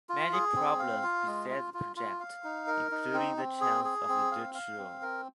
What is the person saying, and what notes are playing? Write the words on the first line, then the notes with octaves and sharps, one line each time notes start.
Many problems beset the project, including the chance of a Dutch roll.
F4
G#4
C4
F5
F4
G#3
F4
F4
F4
F5
D#4
A#4
D#4
C4
C4
G#4
G#4
C4
F5
F5
C4
A#4